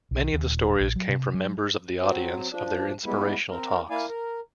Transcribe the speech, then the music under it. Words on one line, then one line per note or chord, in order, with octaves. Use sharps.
Many of the stories came from members of the audience of their inspirational talks.
B1
D#2
D#1
A#1
F#3
C3
F#3
F#3 C4
F3 D4
G3 G#3 B3 E4
C4 A#4
A#3 E4 D5 F5 G#5
A#4